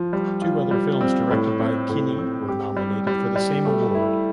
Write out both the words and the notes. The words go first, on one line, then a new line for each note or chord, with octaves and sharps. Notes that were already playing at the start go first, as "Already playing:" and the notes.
Two other films directed by Kinney were nominated for the same award.
Already playing: F3
G3
F4
G3
C4
A2
C4
A2
C4
G4
G3
G3
G3
A3
E4